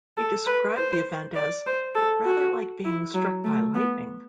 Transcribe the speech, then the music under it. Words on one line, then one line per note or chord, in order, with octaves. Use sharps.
He described the event as "rather like being struck by lightning".
A4
B4
C5
D5
C5
A4
F#4
E4
F#3
A3
B3